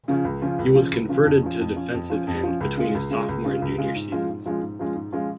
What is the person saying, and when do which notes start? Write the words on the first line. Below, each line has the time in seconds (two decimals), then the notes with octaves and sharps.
He was converted to defensive end between his sophomore and junior seasons.
0.08 C#3 F3 C#4 F4
0.25 C#2
0.42 C#3 F3 C#4 F4
0.59 C#2
0.75 C#3 F3 C#4 F4
0.92 C#2
1.09 C#3 F3 C#4 F4
1.25 F2
1.43 F3 C#4
1.60 F2
1.76 F3 C#4
1.93 F2
2.10 F3 C#4
2.27 F2
2.43 F3 C#4
2.60 C#2
2.77 C#3 G#3 F4
2.94 C#2
3.10 C#3 G#3 F4
3.28 C#2
3.44 C#3 G#3 F4
3.62 C#2
3.78 C#3 G#3 F4
3.96 G#2
4.12 F3 G#3 C#4 F4
4.29 G#2
4.46 F3 G#3 C#4 F4
4.62 G#2
4.79 F3 G#3 C#4 F4
4.96 G#2
5.12 F3 G#3 C#4 F4